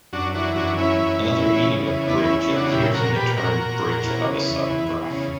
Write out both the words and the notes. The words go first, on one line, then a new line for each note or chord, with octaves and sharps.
Another meaning of "bridge" appears in the term bridge of a subgraph.
F#2 D4 F#4
E3 D4 F#4
F#2 D4 F#4
E3 C#4 E4
F#2
E3
E2
C#3
E3
E2 B3 D4
C#4 E4
E2
C#4 E4
C#3
D4 F#4
A#2 E4 G4
A#2 F#4 A#4
A#2 G4 B4
A#2 F#4 A#4
A#2
A#2
E2
C#3
E3
E2
E2
C#3